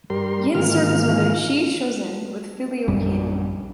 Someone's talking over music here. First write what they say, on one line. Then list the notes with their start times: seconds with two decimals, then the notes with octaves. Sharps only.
Yin served his mother Shi Shouzhen with filial piety.
0.10 G2 G3 A#4 C6
0.55 G#2 D#3 E3 A#3 F4 F6
2.88 A#1 F#2 G3